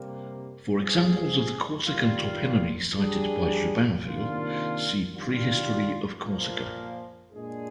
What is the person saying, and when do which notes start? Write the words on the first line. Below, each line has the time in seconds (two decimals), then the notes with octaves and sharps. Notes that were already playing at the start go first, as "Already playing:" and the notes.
For examples of the Corsican toponymy cited by Jubainville, see Prehistory of Corsica.
Already playing: C3 G3 A#3
0.78 G3 C4 F4 G#4
1.87 D#3 G3 A#3 F4
2.96 G3 D4 G#4
4.05 C3 D#3 A#3 D4 F4
5.15 D#3 G3 D4 F4
6.23 A#2 F3 A#3
7.32 A#2 G#3 D4 G#4